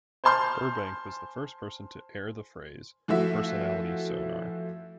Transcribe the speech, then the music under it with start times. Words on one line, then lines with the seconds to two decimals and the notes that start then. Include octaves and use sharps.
Burbank was the first person to air the phrase "personality sonar".
0.24 C5 G#5 A5 C6 F6 G6
3.08 E3 F3 A3 F#4 E5